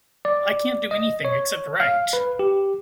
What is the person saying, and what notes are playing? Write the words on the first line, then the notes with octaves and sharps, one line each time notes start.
I can't do anything, except write.
D5
D#5
C#5
F5
B4
G4